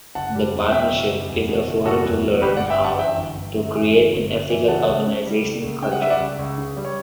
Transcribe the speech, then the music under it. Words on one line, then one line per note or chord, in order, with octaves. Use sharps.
The partnership is a forum to learn how to create an ethical organizational culture.
F#1 F#5 A5
G3
E2
B2 E5 G5
F#1
G3
E2
B2
F#1
G3 F#4 A4
E2
B2
G1 G4 B4
D5 F#5
G1
E5 G5
F#2 F#5 A5
E3 E5 G5
G1
G1
F#2
E3
G1
G1
F#2
E3
C#2 F#5 A5
C#2
C#3
G3
C#2
C#2
C#3 G5
F#5
G3 E5
D5 F#5
C#2
C#2
C#3
G3
C#5